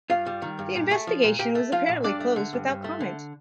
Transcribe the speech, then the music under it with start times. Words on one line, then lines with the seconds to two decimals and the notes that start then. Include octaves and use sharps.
The investigation was apparently closed without comment.
0.10 G2 F4 F5
0.26 G3
0.42 D#3
0.59 G2
0.75 A#2
0.91 A3
1.07 F3
1.24 A#2
1.39 A#2 G4 G5
1.55 A3
1.72 F3 F4 F5
1.89 A#2
2.04 G2 D4 D5
2.20 A3
2.36 D3
2.53 G2
2.68 G2
2.84 A3
3.00 D3